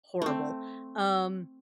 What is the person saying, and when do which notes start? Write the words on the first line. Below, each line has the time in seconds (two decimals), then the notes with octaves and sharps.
horrible. Um
0.22 A3 C4